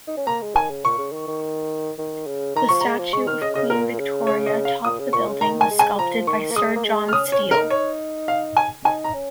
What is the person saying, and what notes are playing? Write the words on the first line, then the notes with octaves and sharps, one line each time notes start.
The statue of Queen Victoria top the building was sculpted by Sir John Steell.
D#4
C#4
A#3 A#5
G#3
D#3 G#5
C#3
A#2 C#6
C#3
D#3
D#3
D#3
C#3
D#3 A#5
F3 C#6
G#3 A#5
F3
G#3 C#6
D#3 F6
C#3 D#5
C#3 D#5
A#2 A#4
C#3
C#5
D#5
F5
A#2 D#6
C#3
A#2 C#6
C#3
D#3 A#5
G#5
G#3
G#5
F3 A#5
D#3 C#6
A#3
G#3 D#6
A#3
G#3
F6
C#4 D#6
C#4 C#5
C#4
A#4
D#4
C#5
F5
G#5
D#4 G#5
A#5
C#4